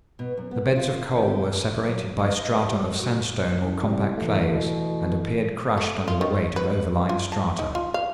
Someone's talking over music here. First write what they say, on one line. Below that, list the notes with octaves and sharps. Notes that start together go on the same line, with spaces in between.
The beds of coal were separated by strata of sandstone or compact clays, and appeared crushed under the weight of overlying strata.
B2
F#2
B3
F4
D#3
G4
F#3
D#5
G3
F#4
C2 F#2
C3 G3
E3 A3
B2
A3
F4
D#3
B4
F4
A5
D#4
F4
F5